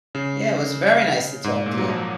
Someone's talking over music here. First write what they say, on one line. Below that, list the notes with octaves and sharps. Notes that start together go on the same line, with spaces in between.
Yeah, it was very nice to talk to you.
C#3
G#2
A#2
F#3
F3